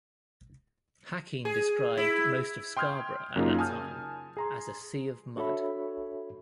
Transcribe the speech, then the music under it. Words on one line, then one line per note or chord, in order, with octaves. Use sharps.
Hacking described most of Scarborough at that time as a "sea of mud".
G#4
E4
G5 C6 D#6 F6 G6 G#6
F#2 C#3 A#3 D#4 F4
G#5 A5 D#6 F6 G6
G#4 A#5 C6
D4 F#4 A4 C#5 E5 B5